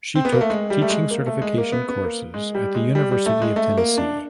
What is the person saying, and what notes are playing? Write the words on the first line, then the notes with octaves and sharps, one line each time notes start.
She took teaching certification courses at the University of Tennessee.
C4
B3
A#3
A3
G#3
G3
A3
G#3
A#3
A3
G#3
A#3
B3
B3
A#3
G#3
G3
G#3
G3
G3
A3
G#3
A3
A#3
D4